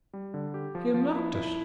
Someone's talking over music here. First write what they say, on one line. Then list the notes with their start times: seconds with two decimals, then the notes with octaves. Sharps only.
He unlocked it.
0.13 G3
0.34 D3
0.54 G4
0.75 F3
0.94 F3
1.16 E4
1.35 E4